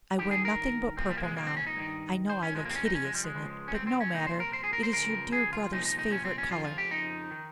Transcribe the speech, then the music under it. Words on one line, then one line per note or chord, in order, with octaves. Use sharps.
I wear nothing but purple now: I know I look hideous in it, but no matter--it is your dear brother's favourite colour.
G2 D#3 G4
G#4
A#4
C2 A#2 F3 C4
G3
A#3
G#3
A#3
C4
C#4
D#4
G2 D#3
C5
C#4
F2 C3 F3 G#3
A#3
C4
C#4
D#4
C#4
G#3
G3
G#3
C#2 C#3 F3
C#4
C4
C4
C#4
C2 A#2 F3 D#4
C5
A#4
C5
G#4
A#4
C5
C#2 C#3 F3 A#4
G#4
F4
C2 A#2 F3 D#4
D#4
D#4
C#4
C4
C#4
F2 C#3 F3 F4
F4
G4
D#4
D#3